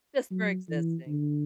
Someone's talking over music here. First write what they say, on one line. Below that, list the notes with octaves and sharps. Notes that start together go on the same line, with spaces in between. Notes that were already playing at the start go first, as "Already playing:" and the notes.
Just for existing.
F#3
E3
D3